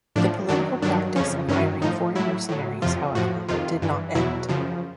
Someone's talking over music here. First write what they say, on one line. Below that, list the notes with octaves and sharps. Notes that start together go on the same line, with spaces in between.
The political practice of hiring foreign mercenaries, however, did not end.
A2 F3 D4
F#2 D#3 F#3 D4
G2 D#3 F#3 D4
F2 C#3 F3 C#4
G2 D#3 F#3 C#4
A2 F3 D#4
A2 F#3 E4
A2 F#3
F2 C3 F3 F4
A2 F3 F#4
F2 C3 D#3 F4
G2 E3
E2 B2 F#3 E4
F#2 C#3 F3